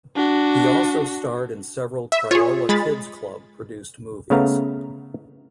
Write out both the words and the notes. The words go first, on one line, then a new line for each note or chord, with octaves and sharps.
He also starred in several Crayola Kids' Club-produced movies.
D4 F#4
E5
F4 G#4 C#5
G#3 B5 A6
C#3 A3 B3 F5 A#5